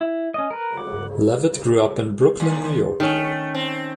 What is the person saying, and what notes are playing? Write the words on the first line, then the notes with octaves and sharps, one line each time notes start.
Levitt grew up in Brooklyn, New York.
E4
C#4 D#5
A#4 B4
F#5 D6
D#2
D#3 A3 C#4
C4